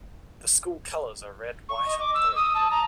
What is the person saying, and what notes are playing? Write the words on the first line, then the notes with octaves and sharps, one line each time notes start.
The school colors are red, white, and blue.
C#6
D#5
D6
E6
D#6
A5
A#5